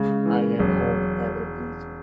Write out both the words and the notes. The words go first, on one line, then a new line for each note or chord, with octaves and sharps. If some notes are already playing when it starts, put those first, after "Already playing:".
I'm home every evening.
Already playing: C#3 G#3
E3
E1 F#3